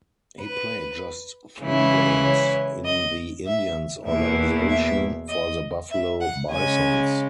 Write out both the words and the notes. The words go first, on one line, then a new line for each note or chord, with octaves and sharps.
He played just three games in the Indians organization for the Buffalo Bisons.
B4
C#3 E3 G#3 C#4 E4
C#5
D#5
E5
E2 B2 A#3 E4 E5
E5
D#5
E5
F#5
C#3 G#3 C#4 G#5